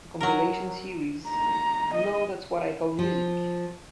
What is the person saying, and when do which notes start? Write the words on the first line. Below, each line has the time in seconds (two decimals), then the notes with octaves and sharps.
The compilation series Now That's What I Call Music!
0.21 F#3 A#4
1.28 A#5
1.95 D#5
2.99 F3